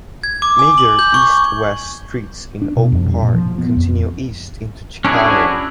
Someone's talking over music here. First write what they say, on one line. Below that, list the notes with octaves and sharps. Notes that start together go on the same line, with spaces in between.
Major east-west streets in Oak Park continue east into Chicago.
G#6
D6
G#5
F#7
G6
C#6
D4
B2
F2
G2
A#2
F3
B3
F2
C#4 D4 E4 F#4 G#4